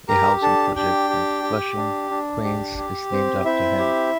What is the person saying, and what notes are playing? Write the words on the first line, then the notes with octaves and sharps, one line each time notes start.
A housing project in Flushing, Queens, is named after him.
G4 A#4 A#5
D4 A4 A5
D4 G4 G5
G4
G4
D4
D4
G4
G4
C4
C4 E4 E5
G4